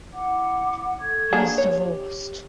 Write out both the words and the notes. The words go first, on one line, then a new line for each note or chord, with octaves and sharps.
He is divorced.
E4 F#5 D6
A4 C#6 G#6
A#3 D4 G#4
G4 C#5